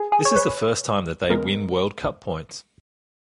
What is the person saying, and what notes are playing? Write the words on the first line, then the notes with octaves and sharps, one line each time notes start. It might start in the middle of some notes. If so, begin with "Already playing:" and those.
This is the first time that they win World Cup points.
Already playing: G#4
G#4
C#5
B4
C#3 G#3 B3 A#4